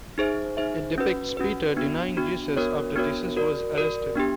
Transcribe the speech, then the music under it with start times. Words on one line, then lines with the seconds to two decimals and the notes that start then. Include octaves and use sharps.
It depicts Peter denying Jesus after Jesus was arrested.
0.18 D#4 G#4 C5 E5
0.57 D#4 G#4 C5 E5
0.98 C#4 F#4 B4
1.37 C#4 F#4 B4
1.77 B3 D4 F#4
2.17 B3 D4 F#4
2.56 B3 D4 F#4 A#4 C#5
2.96 B3 D4 F#4 A#4 C#5
3.37 F#4 A#4 D5
3.75 F#4 A#4 D5
4.15 B3 D4 G4